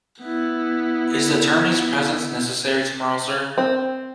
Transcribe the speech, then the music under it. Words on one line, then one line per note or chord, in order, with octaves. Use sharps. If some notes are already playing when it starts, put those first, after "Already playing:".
Is the attorney's presence necessary tomorrow, Sir?
B3 E4
C4